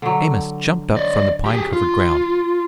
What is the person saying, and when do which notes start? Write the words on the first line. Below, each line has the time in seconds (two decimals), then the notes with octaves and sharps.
Amos jumped up from the pine-covered ground.
0.02 D3 F#3
0.97 D5 D#5
1.46 G4 G#4
1.73 F4